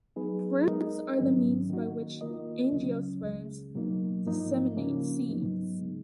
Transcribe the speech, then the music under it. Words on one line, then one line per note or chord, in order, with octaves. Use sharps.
Fruits are the means by which angiosperms disseminate seeds.
F#3 B3 D#4 G#4 B4
G#3 D#4 A#4 D#5
G#2 D#3 F#3 C#4
D#3 A#3 D#4 F#4
D#3 A#3 F4 A#4 D#5
C#2 C#3 F#3 C#4
C#2 C#3 G#3
B2 F#3 A#3 D#4
G#2 F3 A#3 D#4
C#3 F3 A#3 C#4
G#2 F#3 B3 D#4
C#3 G#3